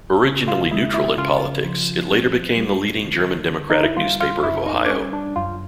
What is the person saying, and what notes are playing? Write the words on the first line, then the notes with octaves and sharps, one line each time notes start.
Originally neutral in politics, it later became the leading German Democratic newspaper of Ohio.
C#3
F4
G#3 E4
E4
C#3 F4
F4
F3
C4
G3
D3
D3
D#4
E4
G3 F4
F4
F#2 E4
D#4
D4
G3 C#4
D4
F#2 F4